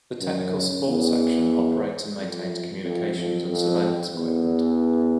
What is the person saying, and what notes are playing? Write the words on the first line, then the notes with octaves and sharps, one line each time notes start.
The Technical Support section operates and maintains communications and surveillance equipment.
F#2
E2
F2
F2
F2
F2
E2